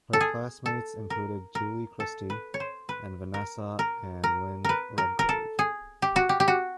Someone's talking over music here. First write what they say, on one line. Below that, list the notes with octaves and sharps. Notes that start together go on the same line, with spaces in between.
Her classmates included Julie Christie and Vanessa and Lynn Redgrave.
A4
G#4
A4
A#4
A#4
A4
B4
C#5
C5
B4
A#4
A#4
A#4
A#4 B4
A#4
A#4
A4
G#4
G4
F#4
G4
G4
F#4